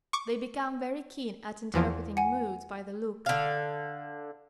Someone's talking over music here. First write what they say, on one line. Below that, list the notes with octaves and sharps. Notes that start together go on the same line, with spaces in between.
They become very keen at interpreting moods by the look.
C#6 D6
E2 E3 F3
F#5 G#5
D3 F5